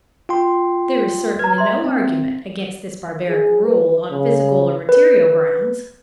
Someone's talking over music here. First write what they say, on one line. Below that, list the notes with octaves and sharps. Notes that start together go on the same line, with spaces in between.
There is certainly no argument against this barbaric rule on physical or material grounds.
F4 G5 C6
B4 A#5 G#6
E5 C6
C4
G#4
B4
C#3
B4